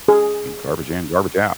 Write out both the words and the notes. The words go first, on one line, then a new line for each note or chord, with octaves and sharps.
"Garbage in, garbage out."
G#4